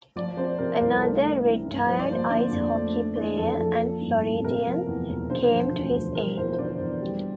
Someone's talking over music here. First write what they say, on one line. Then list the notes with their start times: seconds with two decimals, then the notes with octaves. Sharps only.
Another retired ice hockey player and Floridian came to his aid.
0.16 F3 D5
0.37 C4 C5
0.58 C3 A#4
0.81 C2 A#4
0.98 A4
1.02 A3 A#4
1.23 D4
1.44 E3
1.66 G2
1.87 F3 C5
1.99 D5
2.09 A#3 C5
2.30 D3 D5
2.51 F2
2.73 A3
2.94 D4
3.15 E3 D5
3.37 F2 A4
3.58 F3 A4
3.81 A#3
4.01 G2
4.22 A1
4.44 C3 A#4
4.66 F3
4.87 E2
5.09 E1
5.30 D3 C5
5.51 F3
5.73 D2
5.95 E1
6.15 F3 A#4
6.37 E2 C5
6.53 C5
6.59 D3 D5
6.79 E2
7.02 G3